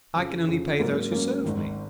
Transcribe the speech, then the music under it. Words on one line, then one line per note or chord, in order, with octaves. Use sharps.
I can only pay those who serve me.'
F2 C#3 F3
F2 C#3 F3
G#2 F#3 A#3 C#4
G#2 F#3 A#3 C#4
G#1 G#2 D#3